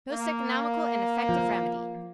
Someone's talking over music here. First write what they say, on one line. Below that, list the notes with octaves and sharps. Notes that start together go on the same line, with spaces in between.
Most economical and effective remedy.
A#3
F3